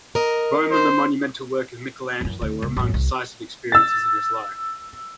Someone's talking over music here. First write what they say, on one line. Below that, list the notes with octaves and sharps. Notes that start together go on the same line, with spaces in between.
Rome and the monumental work of Michelangelo were among decisive experiences in his life.
A#4 D#5
C5
F#2 E3
D2
C2
A1 F#2
C2
E6 A6